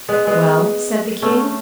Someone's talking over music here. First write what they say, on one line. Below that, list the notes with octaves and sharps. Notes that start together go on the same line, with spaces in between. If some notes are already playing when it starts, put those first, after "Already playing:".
"Well?" said the king.
G#3 B3
G#3 B3
A3 C#4